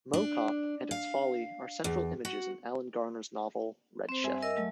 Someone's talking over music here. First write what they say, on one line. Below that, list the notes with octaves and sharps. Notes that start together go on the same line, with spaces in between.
Mow Cop and its folly are central images in Alan Garner's novel, "Red Shift".
D4
F5
E2
F#4
C4 C5
G2 E5 G#5
A#4 D#5 E6
F#3 A3